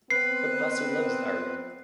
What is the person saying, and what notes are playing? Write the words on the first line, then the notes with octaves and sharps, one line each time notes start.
But Vasu loves Arjun.
B3 C4 B4 C7